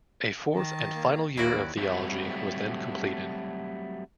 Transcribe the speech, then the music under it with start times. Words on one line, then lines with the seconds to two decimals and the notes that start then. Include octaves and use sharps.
A fourth and final year of theology was then completed.
0.55 D#3 A5
0.95 A#3
1.37 D#2 A#3 E4 F#4 D5
1.78 F#3 G3 A3 C4